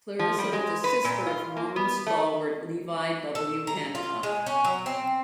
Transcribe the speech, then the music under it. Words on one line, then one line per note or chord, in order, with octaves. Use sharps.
Clarissa was a sister of Mormon stalwart Levi W. Hancock.
F3
G3
G#3
B4
A#2
F4
A#3
B3
A3
A4
A#5
F4
G#3
C#4
F#3
C4